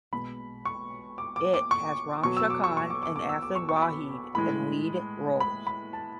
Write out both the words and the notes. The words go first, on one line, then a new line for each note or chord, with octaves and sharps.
It has Ramsha Khan and Affan Waheed in lead roles.
B2 G#3 B5
C#6
D6
D6
D6
C#6
B2 F#3 C#6
E6
D6
C#6
C#6
D6
D6
D6
E6
D6
C#6
C#6
B5
A2 E3 G#3 B5
B5
B5
A5